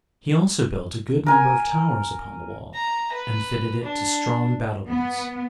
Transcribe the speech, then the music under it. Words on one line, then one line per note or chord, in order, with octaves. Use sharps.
He also built a good number of towers upon the wall, and fitted it to strong battlements.
A#4 G#5
A#5
B4
D4
B3